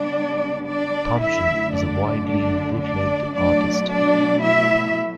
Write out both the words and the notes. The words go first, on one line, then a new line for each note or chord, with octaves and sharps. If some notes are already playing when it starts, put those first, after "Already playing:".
Thompson is a widely bootlegged artist.
Already playing: C#3 G3 B3 D4 D5
D4 D5
F#2 D3 A3 E4 E5
D4 D5
D4 D5
D4 D5
B2 F#3 A3 D4 D5
D4 D5
E4 E5